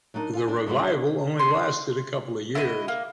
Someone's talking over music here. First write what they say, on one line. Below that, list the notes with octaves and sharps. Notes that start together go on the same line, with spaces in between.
The revival only lasted a couple years.
F#3 D4 D#4 A#4
F4 F5 G#5
D4
G2 F#3 G#3 D4 F#4 B4
D4
C6
E4 F#4 C5 D#5
A#3